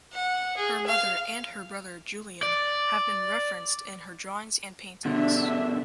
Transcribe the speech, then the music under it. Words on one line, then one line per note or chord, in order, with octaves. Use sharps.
Her mother and her brother Julian have been referenced in her drawings and paintings.
F#5
G#4
F5
D5
B2 D3 D4 E5